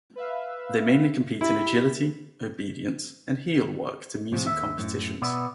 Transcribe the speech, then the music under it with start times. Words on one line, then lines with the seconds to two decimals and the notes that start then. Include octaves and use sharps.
They mainly compete in agility, obedience and heelwork to music competitions.
0.16 B4 E5 F5
1.41 E4 G4 B5 B6
4.32 A2 C3 F3
4.46 D#2 B2 E5
4.78 F#2 A2
5.22 B2 B3 D5 E5